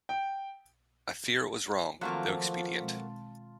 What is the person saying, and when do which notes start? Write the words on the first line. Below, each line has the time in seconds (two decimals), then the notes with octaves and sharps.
I fear it was wrong, though expedient.
0.09 G5
2.01 D#3 F3 F#3 A3 A#3 C4 F4 A5
2.80 B2 G#3 C4